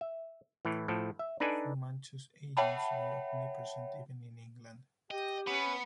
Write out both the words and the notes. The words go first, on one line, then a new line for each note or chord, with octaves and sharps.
Fu Manchu's agents were omnipresent even in England.
E5
A2 E3
A2 F3 A4
E5
D4 D#4 A4 B4 D5 G#5
C#5 E5 F#5 G5 A5 B5
G4 D#5 G5
B3 C#4 B4